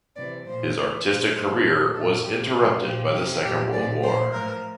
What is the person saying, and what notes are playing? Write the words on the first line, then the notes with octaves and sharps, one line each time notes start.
His artistic career was interrupted by the Second World War.
C3 E3 D5
A#2 F3 C5
A2 E3
A#2 F3 C5
A2 E3 C5
A#2 F3 A4
A#2 F3 A4
A2 F3 G4
C3 F3 F4
A#2 F3 G4
C3 F3 G4
A#2 F3 G4
A#2 F3 D5
A#2 F3 C5
A2 F3 A#4